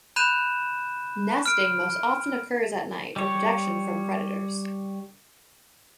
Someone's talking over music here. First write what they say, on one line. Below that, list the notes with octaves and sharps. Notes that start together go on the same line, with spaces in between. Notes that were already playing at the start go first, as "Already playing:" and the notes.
Nesting most often occurs at night for protection from predators.
B5 F#6 G6 D#7 E7
F6 D7
G3 C#5